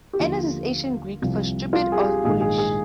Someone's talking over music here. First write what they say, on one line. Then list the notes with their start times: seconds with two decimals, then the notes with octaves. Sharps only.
"Anous" is Ancient Greek for "stupid" or "foolish".
0.13 G4
0.19 D#2 D3 F3 F4
1.22 C2 C3 F3
1.73 F4
1.92 G#4
2.00 G4
2.24 A#1 G#2 D#3 G#4
2.41 G#4
2.58 G#4